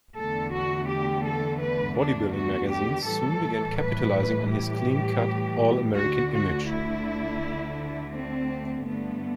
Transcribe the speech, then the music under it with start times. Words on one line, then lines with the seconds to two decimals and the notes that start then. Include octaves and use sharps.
Bodybuilding magazines soon began capitalizing on his clean-cut, all-American image.
0.16 E2 D3 A3 A4
0.53 F#4
0.89 G4
1.25 A4
1.61 B4
1.97 D4
2.33 F#4
2.71 G4
3.06 A2 E3 G3 A4
3.78 B4
4.51 G4
5.96 D2 D3 A3 F#4
6.33 F#4
6.69 E4
8.14 C4
8.85 G2 D3 A3 B3